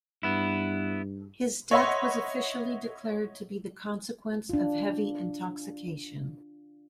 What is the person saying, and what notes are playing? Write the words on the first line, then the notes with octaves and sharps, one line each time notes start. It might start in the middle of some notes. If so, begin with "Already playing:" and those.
His death was officially declared to be the consequence of heavy intoxication.
G2 B3 E4
C#5 D#5 E5 F#5 B5 C6
D4 F4